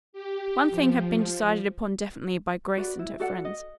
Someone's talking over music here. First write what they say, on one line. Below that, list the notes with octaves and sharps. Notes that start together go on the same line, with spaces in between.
One thing had been decided upon definitely by Grace and her friends.
G4
F3
F#4 B4 D5
E4
F#4 A4 D5 F#5
D#5